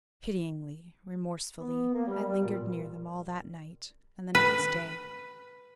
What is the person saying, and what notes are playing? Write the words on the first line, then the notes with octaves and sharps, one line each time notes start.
Pityingly, remorsefully, I lingered near them all that night and the next day.
B3
A#3
G3
G3
A#2
B4